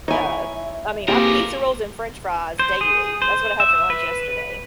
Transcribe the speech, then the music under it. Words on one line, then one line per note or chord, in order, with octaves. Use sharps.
uh I mean, I'm pizza rolls and French fries daily. That's what I had for lunch yesterday.
D#4 E4 C#5 E5 G#5
B2 A#3 C4 F4 G4 G#4 A#4
C5
G#4
C5
E5
B4